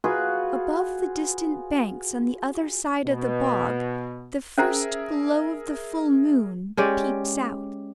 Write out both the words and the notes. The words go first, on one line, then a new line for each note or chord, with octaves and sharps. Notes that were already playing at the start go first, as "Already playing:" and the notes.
Above the distant banks on the other side of the bog, the first glow of the full moon peeps out.
F4 F#4 G#4 B4
B2
C#4 G#4 A#4 C5 E5 A#5
G#3 C#4 G4 D5